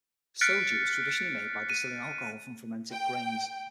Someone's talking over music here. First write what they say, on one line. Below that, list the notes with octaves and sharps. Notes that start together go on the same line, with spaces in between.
Soju is traditionally made by distilling alcohol from fermented grains.
F6 F#6 A6 B6 C#7 D7
D#7
G5